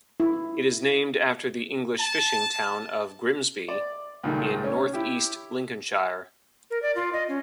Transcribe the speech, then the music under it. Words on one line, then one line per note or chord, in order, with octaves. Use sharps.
It is named after the English fishing town of Grimsby in North East Lincolnshire.
E4
A5
D5
C#2 A#2 D#3 G3 A3
C#4
E4 G4
A#4
D5
F4
D#5
C#4